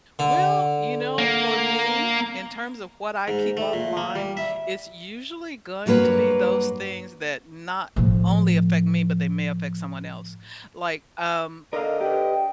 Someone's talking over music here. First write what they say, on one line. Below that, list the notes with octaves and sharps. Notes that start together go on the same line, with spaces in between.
Well, you know, for me, in terms of what I keep offline, it's usually going to be those things that not only affect me, but they may affect someone else. Like, um,
D3
A#3
G#2
A3
A#2
A#3
G3
E5
G2 F#3 A#3 B4 C#5
A2 F3
D3 A#4 D#5 F5
G4 B4 G5